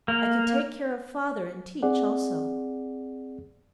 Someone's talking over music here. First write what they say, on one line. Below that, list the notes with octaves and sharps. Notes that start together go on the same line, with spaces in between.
I could take care of father and teach also.
A#3
C4 G#4 D5 F#5